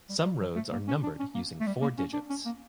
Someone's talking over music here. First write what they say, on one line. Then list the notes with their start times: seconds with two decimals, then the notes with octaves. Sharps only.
Some roads are numbered using four digits.
0.09 G3
0.25 G3
0.41 F3
0.56 A3
0.72 A#3
0.88 C#4
1.03 D4
1.19 C#4
1.35 A#3
1.60 A3
1.67 G3
1.82 A#3
1.98 C#4
2.13 D4
2.29 C#4
2.45 A#3